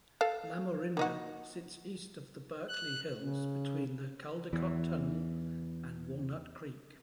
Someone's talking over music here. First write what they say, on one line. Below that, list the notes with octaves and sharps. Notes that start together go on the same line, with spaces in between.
Lamorinda sits east of the Berkeley Hills between the Caldecott Tunnel and Walnut Creek.
A4 F5
A#3 D#4 F#4
F#6
C#3
E2 E3